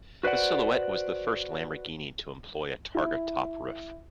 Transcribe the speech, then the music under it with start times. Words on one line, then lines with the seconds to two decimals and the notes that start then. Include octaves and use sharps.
The Silhouette was the first Lamborghini to employ a targa top roof.
0.23 F#4 B4 C5 D5 F#5
2.95 E4